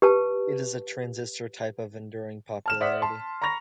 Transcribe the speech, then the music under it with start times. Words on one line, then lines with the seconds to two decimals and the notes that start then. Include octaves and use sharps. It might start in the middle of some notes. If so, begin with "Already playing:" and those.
It is a transistor type of enduring popularity.
0.02 G4 B4 A5
2.66 A5 F6 E7
2.80 C5 D5 E5 F#5 D#6 B6
3.02 A5 C6
3.42 A#5 B5 C#6 A#6 F7